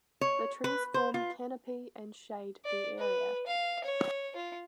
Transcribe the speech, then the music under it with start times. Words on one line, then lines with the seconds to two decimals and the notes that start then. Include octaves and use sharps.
The trees form canopy and shade the area.
0.21 C#5
0.64 B4
0.94 C5
1.14 F4
2.65 D5
2.99 B4
3.47 F5
3.84 C#5
4.36 F4